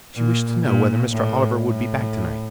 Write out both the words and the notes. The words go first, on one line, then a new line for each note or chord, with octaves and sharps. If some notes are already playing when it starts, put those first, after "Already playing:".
"She wished to know whether Mr. Oliver would be back to-night."
A#2
A#2
A2
A2